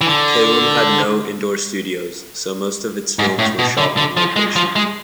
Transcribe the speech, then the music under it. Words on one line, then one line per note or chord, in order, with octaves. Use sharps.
Kalem had no indoor studios, so most of its films were shot on location.
E3
D3
G#2
A2
B2
D3
D3
F3
G#3
F3
G#3